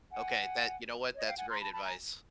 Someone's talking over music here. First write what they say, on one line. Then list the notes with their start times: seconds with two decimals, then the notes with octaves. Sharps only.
Okay, that you know what, that's great advice.
0.11 F#5 G#5
1.14 C#5 D#5
1.26 F5 G5
1.38 F#5 G#5
1.49 A#5 C6
1.60 A5 B5
1.72 A5 B5
1.83 G#5 A#5